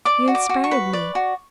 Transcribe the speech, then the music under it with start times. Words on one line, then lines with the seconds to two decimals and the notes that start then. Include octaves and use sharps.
"You inspired me."
0.05 D5 D6
0.28 F#4
0.35 D6
0.49 F#4
0.64 C#6
0.71 B4
0.93 D5
1.15 F#4